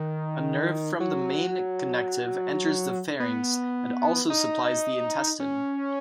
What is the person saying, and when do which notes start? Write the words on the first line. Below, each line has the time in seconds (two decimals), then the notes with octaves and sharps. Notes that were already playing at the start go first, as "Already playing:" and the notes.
A nerve from the main connective enters the pharynx and also supplies the intestine.
Already playing: D#3
1.00 F#3
3.20 B3
4.30 D#4
5.40 C#4